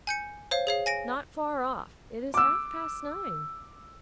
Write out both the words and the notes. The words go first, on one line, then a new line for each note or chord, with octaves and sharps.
'Not far off--it is half-past nine.
G#5 G6 C#7
C5 C#5 F5
G#4 C#5 F5
G#5 A#6 D7
D6 E6